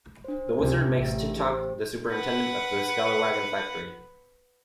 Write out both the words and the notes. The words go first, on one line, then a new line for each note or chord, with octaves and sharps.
The Wizard makes Tik-Tok the superintendent of the scalawagon factory.
D4 C5
C#2 C3 D5 G#5
A1 G4 D5 E5
G4 C5
B4 F#5